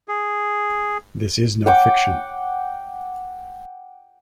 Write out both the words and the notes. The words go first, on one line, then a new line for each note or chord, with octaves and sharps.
This is no fiction.
G#4
F#5 G5 D6